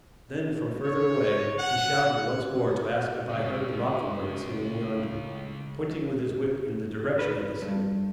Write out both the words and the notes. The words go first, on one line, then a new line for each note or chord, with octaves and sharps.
Then, from further away, he shouted once more to ask if I heard the mocking-bird singing yonder, pointing with his whip in the direction of the singer.
C#5
F#5
C#3 G#3
B4
G2